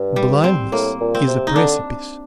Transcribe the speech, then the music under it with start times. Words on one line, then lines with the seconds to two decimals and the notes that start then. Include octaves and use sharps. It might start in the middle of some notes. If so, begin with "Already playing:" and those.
Blindness is a precipice.
Already playing: G2
0.16 G3
0.44 C4
0.72 A2 A#3
1.01 A#2
1.15 C4
1.28 C3
1.47 D#4
1.56 D3 D4